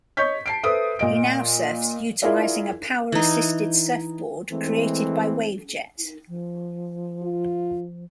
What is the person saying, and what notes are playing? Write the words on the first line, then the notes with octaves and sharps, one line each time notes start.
He now surfs utilizing a power assisted surfboard created by Wavejet.
C#5 D#5 C#6 G6 B6
A5 C7 D7
A4 B4 C5 E5 D#6
A#2 D#5 D7
E4 F4 G#4 A#4 D5 E5
E3 D#4
E3 G#3 A3 C4
F3
F4